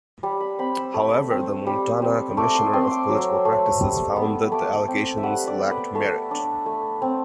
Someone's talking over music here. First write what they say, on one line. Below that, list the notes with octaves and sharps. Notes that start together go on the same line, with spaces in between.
However, the Montana Commissioner of Political Practices found that the allegations lacked merit.
G3 A5
B5
C4 B5
E6
A3
C4
G3
C4
A3 D6
C6
C4 C6
C6 D6
F#3 E6
A3
G3
B3
A3 D6
C4
E5
G3 F#5
D5
B3
B4
A3 A4
D4
A3
C4